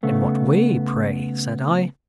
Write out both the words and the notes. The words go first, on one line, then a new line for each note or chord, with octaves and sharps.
'In what way, pray?' said I.
C#3 A3 B3